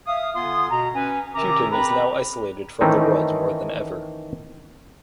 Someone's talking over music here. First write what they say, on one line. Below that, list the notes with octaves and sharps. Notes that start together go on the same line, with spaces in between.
Putin is now isolated from the world more than ever.
E5 F5 D#6
D3 B3 F4 G#5 C6 D#6
B2 A#5
C#4 B4 G#5
C3 D#3 C#4 E5 A#5 D6
C4 G#4 B4 G5 A#5 B5
D#3 E3 A3 C4 C#4 D#4